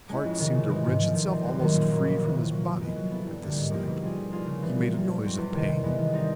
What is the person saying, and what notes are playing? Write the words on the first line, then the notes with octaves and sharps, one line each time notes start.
His heart seemed to wrench itself almost free from his body at this sight. He made a noise of pain.
G#3 C#4 E4
F2
C3 D#3
C#3
E3 G#3 C4
G#2
F3 A3
D#3
G3 C4
F#2
D#3 F#3 A#3
A#2
F#3 A#3 D#4
F2
C3 E3
A#2
F#3 A#3
F3
G#3 B3
F#3
B3 E4 A4
G2
D3 G3 A#3
G#2
F3 A#3 D#4 G4
B2
G3 C4 F4 G#4
F3
A#3 D4 F4 G#4
C#3
E3 G3 C4
A#2
G3 A#3
B2
F#3 A3 C4
E2
C3 D#3
G2
E3 G#3 B3
D#3
G3 C4 D#4